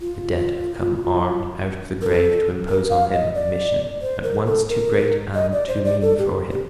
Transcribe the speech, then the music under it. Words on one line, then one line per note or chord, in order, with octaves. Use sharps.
The dead have come armed out of the grave to impose on him a mission at once too great and too mean for him.
F4
A#4
A4
A#4
F5
D#5
D5
C5
A#4
A4
A#4
D#5
D5
C5
D5
A4
G4
G4